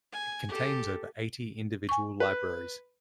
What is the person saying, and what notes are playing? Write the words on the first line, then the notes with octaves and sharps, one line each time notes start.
It contains over eighty individual libraries.
G#5
G4 A4
G#5 C#6
B4